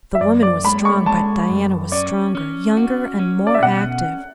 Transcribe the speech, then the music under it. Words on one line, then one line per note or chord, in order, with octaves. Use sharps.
The woman was strong, but Diana was stronger, younger and more active.
E5
F#2 D5
D5
G#3 B5
C#6
G#3 A5
F#2
C#4 D5
C#4
F#4
C#4
D5
E5
B2 F#5